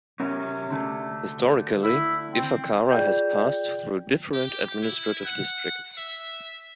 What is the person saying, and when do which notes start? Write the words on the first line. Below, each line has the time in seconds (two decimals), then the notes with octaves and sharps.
Historically, Ifakara has passed through different administrative districts.
0.20 C3 C#4 A#4
0.70 D3 A3
1.83 E4
2.33 C4
2.90 F4 G#4 D5 G5 G6
4.34 G4
4.83 E4
5.26 F#5
5.98 E5